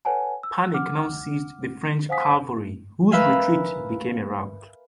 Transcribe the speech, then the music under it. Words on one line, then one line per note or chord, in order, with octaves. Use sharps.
Panic now seized the French cavalry, whose retreat became a rout.
A4 B4 C#5 F#5 G#5 A5
E6
F#5 D6 F6
C5 F5 F#5 G#5 D#6 B6
A#4 B4 E5 F5 G#5